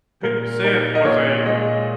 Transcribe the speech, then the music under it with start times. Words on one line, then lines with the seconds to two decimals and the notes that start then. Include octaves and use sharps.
Putin sent was a
0.23 A#2 A#4
0.64 D#4 A#4
0.95 D#5
1.05 A#2 C#5
1.46 G#3 D#5